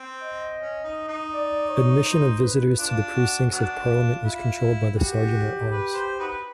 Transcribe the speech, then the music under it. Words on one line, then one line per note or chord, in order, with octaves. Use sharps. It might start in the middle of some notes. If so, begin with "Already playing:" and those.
Admission of visitors to the precincts of Parliament is controlled by the Serjeant-at-Arms.
Already playing: C4
D#5
C#4
D#4
D#4
D5
C#5
C5
B4
D4 F4
F#4
F#3 B3 D4 F#4
F4
E4
F#4 G4
B4
C5
D#4 F#4 B4